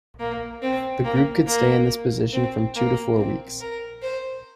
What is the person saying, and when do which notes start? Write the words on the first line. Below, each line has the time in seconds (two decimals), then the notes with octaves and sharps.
The group could stay in this position from two to four weeks.
0.19 A#3
0.62 C4
1.04 A#3
1.46 A#3
2.33 C4
2.75 A#3
3.17 C4
3.61 A#4
4.02 C5